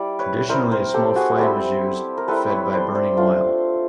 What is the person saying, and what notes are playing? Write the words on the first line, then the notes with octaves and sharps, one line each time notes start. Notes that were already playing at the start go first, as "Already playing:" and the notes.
Traditionally a small flame is used, fed by burning oil.
Already playing: G3 E4 D5
B4 C#5
G3 C4 E4 A#4 C5
A#4 C5
G4 A4
F#4 G#4
G3 C4 E4 G4 A4
A#4
G3 C4 E4 A4 B4
B4 C#5
C5 D5
C5 D5
A3 D4 F4